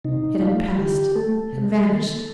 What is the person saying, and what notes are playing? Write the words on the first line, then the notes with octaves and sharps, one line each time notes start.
It had passed and vanished.
C3 D#4
F3 A3 F4
D3 G4
A3 A4
C3
D#3 A#3